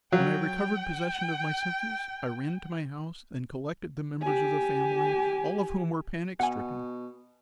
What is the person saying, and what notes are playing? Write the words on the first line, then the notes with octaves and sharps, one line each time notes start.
When I recovered possession of my senses I ran to my house and collected the members of the family, all of whom were panic stricken.
F#3 G5
G4 G#5
B2 F#5 G#5